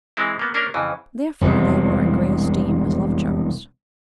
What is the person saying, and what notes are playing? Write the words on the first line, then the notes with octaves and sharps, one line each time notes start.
Therefore they were in great esteem as love charms.
E3 G#3 C4 E4
A#3 B3
A#3 C#4 D4 A#4
F2 C#3 E3
E1 C2 F2 C3